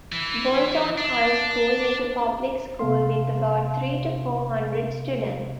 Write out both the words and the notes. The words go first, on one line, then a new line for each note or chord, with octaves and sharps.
Bolton High School is a public school with about three to four hundred students.
E3
D4
C3 B3 F5 C6